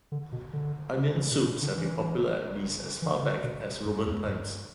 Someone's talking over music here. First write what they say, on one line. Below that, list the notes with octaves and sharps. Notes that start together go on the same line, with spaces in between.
Onion soups have been popular at least as far back as Roman times.
D3
B2
D3
E3
B2
B2
D3
E3
E3
D3
B2
G2
E2
G2